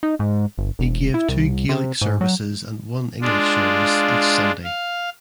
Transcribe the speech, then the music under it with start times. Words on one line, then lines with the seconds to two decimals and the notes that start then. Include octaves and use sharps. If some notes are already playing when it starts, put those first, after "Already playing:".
He gave two Gaelic services and one English service each Sunday.
0.03 D#4
0.19 G#2
0.58 G1
0.79 E1
1.14 E4
1.29 C2
1.69 C3
2.02 G#2
2.21 F#3
3.21 G#3 D4 F4
4.64 F5